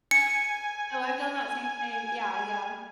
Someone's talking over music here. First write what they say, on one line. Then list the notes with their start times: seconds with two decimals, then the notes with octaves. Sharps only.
Oh, I've done that same thing. Yeah. Yeah
0.11 G#5 C#7